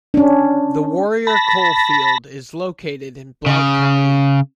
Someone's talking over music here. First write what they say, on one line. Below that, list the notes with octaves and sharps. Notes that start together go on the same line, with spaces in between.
The Warrior coal field is located in Blount County.
C#4 D4
A5 B5 A#6
C#3